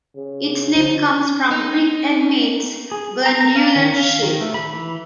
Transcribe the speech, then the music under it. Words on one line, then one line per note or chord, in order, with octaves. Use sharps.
Its name comes from Greek and means "glandular shield".
C#3
D3 F3
D#4
G#4
A#5
A#5
F5
D#3
F5
D#3
A3
B5
E3